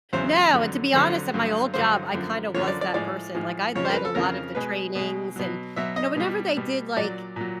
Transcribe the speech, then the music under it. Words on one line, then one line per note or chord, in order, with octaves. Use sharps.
No, and to be honest, at my old job, I kinda was that person, like, I led a lot of the trainings and you know whenever they did, like
E2 C#3 F#3 C5
F2 D3 F#3
F2 D3 F#3 C5
G2 D3 F#3
G2 D3 F#3 C5
F#2 D3 F3
F#2 D3 F3 C#5
D5
D5
A2 F3 G#3 D5
A2 F3 G#3
F2 C#3 F3 C#5
C5
A#4
B4
A4
F2 C#3 F3 A#4
B2 G#3 B4
B2 G#3
B2 F#3
B2 F#3 E5
D#5
B2 G3
B2 G3
A#2 F#3 D5
A#2 F#3